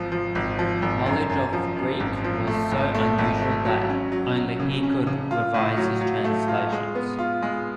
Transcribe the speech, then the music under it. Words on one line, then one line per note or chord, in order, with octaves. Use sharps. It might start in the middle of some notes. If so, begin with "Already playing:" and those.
Knowledge of Greek was so unusual that only he could revise his translations.
Already playing: G#1 F3
F3
G#1
F3
G#1
F#2
F#2
F3
F#2
G#1
F3
A3
G#1
A3
G#1
A3
F#3
C#4
F#3
F#3
C#3
C#4
C#3
F4
A2
F#3
F#3
A3
F4
G#3
B3
F4
G#3